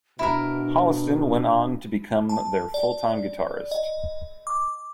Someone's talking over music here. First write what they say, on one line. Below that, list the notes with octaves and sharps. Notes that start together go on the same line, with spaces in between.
Holliston went on to become their full-time guitarist.
B2 D4 E4 G#4 A#4
A5
D5
D#5
D6